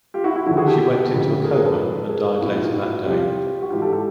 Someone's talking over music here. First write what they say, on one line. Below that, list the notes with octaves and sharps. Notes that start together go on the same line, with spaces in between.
She went into a coma and died later that day.
F4 G4
E4 F#4
E4 F#4
D#2 D3 F3 E4 F#4
F#4 G#4
G4 A4
D2 C#3 F3
G#4 A#4
G#4 A#4
A4 B4
G#2 F3
G#4 A#4
C2 A#2 F3 E4 F#4
D#4 F4
E4 F#4
C2 C3 F3 F4 G4
F#4
G#2 E3 F4 G4
G4 A4
G4 A4